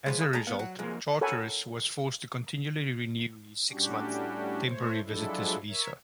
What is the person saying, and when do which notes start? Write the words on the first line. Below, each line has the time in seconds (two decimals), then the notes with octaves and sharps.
As a result, Charteris was forced to continually renew his six-month temporary visitor's visa.
0.06 G#2 F3 G#3 B4 C#5
0.19 G#4 F5
0.33 A2 C#3 A3 G#5 A#5
0.47 B3 F5
0.59 F#3 F#5
0.79 C2 F2 G#3 A#3
1.21 A4 A#4 C#5 F#5 G#5 B5
3.71 A2 G3 C#4 D4 F#4 G4
4.65 A3 C5 C#5
5.05 F3 F#3 G#3 D4 E4 A4
5.69 A#4 C#5 E5